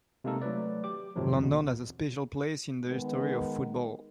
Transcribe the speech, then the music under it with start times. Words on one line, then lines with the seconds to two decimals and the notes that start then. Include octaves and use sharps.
London has a special place in the history of football.
0.24 C3 G#3 A#3 D#4 A4 A#4
0.42 F#3 A3 B4 D5
0.84 G4 D6
1.15 F2 G#2 C3 D#3 F3 F#3
1.40 D#2 B2
2.87 D#3 G#3 B3